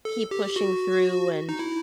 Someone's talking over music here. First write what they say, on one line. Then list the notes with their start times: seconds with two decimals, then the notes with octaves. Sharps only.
keep pushing through, and
0.05 A4
0.31 G4
0.56 F#4
1.49 D#4
1.59 E4